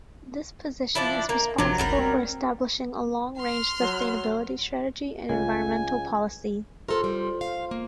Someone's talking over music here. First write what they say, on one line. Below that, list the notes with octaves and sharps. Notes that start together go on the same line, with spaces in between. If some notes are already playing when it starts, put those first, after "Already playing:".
This position is responsible for establishing a long-range sustainability strategy and environmental policy.
F3 D4 E4
A#3
A1 C3 F3 F#3 D4
F#1 C#2 F#3 G3 A#4
C4
C6 F6
F#3
C#2 G#5
F4 A4 A#4 C5
G3
F5
A#3